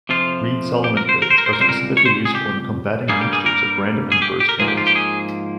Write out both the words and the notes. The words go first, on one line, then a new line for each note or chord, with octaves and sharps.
Reed-Solomon codes are specifically useful in combating mixtures of random and burst errors.
F2 C3 F3 F4
G4
A#4
C5
A#4
C5
A#4
C5
A#4
C#2 C3 G3 C5
A#4
C#5
C5
G#4
G4
G2 G3 A#3 G#4
G4
G#4
A#4
G#4
G4
G4
A#4
G#2 F3 A#3 G#4
G4
F4
G4
G#4